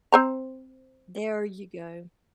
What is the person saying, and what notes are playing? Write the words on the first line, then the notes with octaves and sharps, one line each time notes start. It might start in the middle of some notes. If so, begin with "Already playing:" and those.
There you go.
C4 C5 A#5